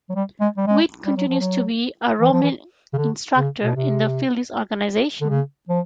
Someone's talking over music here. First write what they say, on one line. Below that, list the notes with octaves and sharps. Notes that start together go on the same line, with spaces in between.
Whitt continues to be a roaming instructor in the Phillies' organization.
F#3
G3
G#3
G3
G#3
G3
F#3
F3
F#3
E3
F3
E3
C#3
D3
C#3
B2
C3
D3
C#3
F3